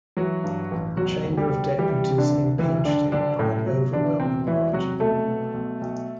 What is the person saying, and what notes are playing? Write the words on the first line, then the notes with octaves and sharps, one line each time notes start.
The Chamber of Deputies impeached him by an overwhelming margin.
E3 F#3 F#4
G2
A1
E1 F#3 F#4
D2
G3 G4
D2
E3 G3 G4
C3
D3 D4
D2
F#1 E3 E4
F#1 D3 D4
F#1 D3 D4
F#2 A2 A3
G1 F#3
D3 E3 D4
E1 C3 C4
E1 E3 E4
C3 F#3 F#4
B1 A3 A4
B2
B1
B1